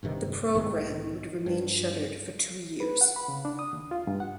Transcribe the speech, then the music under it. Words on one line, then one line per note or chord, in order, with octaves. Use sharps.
The program would remain shuttered for two years.
E1 G2 C3 D#3
B1 G#2 D#3 G#3
G2
B4
F#5
B5
C#3
D4
D#6
D#2
F4
G2
F#5